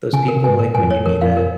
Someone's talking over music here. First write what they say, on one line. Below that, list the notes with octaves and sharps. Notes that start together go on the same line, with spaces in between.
those people, like, when you need it.
C#3 G#5
A#4
C3
G#2 G#5
A#2 A#4
G2 G#5
F2
C#5
F2 A#4
F2 F5
A#4